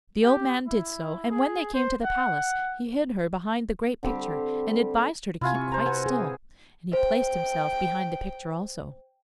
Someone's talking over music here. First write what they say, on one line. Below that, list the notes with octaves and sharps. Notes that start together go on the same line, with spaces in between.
The old man did so, and when they came to the palace he hid her behind the great picture and advised her to keep quite still, and he placed himself behind the picture also.
G4
E4
G#4
C5
F#5
D3 G3 C4 G4
C3 E4 F4 G#5
C#6
C5 A#5
B4 F#5 G#5
G#4
C5 G5